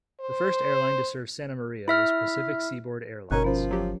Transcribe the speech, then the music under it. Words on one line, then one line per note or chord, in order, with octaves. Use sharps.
The first airline to serve Santa Maria was Pacific Seaboard Air Lines.
C5
E4 E5 F6
G1 G#2 B2 C#4 A#4 A#5 F#6
F3 C#4 C5
F#3 G4